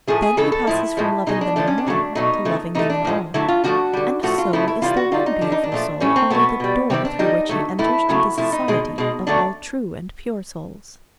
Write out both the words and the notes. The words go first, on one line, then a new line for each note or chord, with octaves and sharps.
Then he passes from loving them in one to loving them in all, and so is the one beautiful soul only the door through which he enters to the society of all true and pure souls.
A2 F3 A3 G#4
G#4
C#3 E3 G#3 A4
A4
A2 F3 G#3 E4
A2 F3 G#3
B2 G#3 D#4
D4
D3 F3 A3 D4
C#4
D4
C#3 F#3 A3
B2 F#3 A3 D#4
C#3 F3 A3
C3 E3 A3 D#4
D4
A2 F3 G#3
D3 F#3 A3 E4
F4
D3 F3 A3 F#4
D3 G3
A2 F3 A3 F#4
F4
C#3 F3 A3 E4
E4
C3 E3 G3 F4
F#4
D3 G3 F4
D#4
D3 G3 D4
D#4
D4
A#2 F3 A3
A2 E3 G3 C#4
C4
B2 F#3 A3 B3
B2 G3
C3 D#3 G3 C4
D4
D3 G3 D#4
D3 F#3 A3
A2 E3 A3 E4
C#3 F#3 A3
C3 F3 A3 E4
D#4
B2 G#3
B2 G#3
D3 F#3 A3 D4